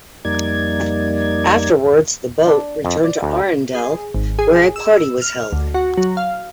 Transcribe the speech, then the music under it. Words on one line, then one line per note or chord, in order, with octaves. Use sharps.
Afterwards, the boat returned to Arendelle where a party was held.
F2 G3 A#3 D#4 D5 G#6
D4
F2
D5
D2
G#4
G#1
G#4
E6
F6
D2
F#4
F#3
F5